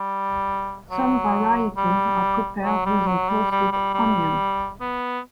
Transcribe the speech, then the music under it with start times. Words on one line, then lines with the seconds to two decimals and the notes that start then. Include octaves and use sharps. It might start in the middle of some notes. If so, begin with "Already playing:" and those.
Some varieties are prepared using toasted onion.
Already playing: G3
0.91 F#3
1.77 G3
2.64 F#3
2.86 G3
3.07 F#3
3.29 G3
3.51 G3
3.72 G3
3.94 G3
4.81 B3